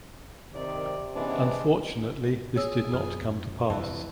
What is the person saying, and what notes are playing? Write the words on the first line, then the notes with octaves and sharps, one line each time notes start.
Unfortunately this did not come to pass.
C3 D#3 C4 D5
E3 G#3 B3 C#4 D4
G#4 C#5 E6
F#2 F4
F2 C3 E3 A5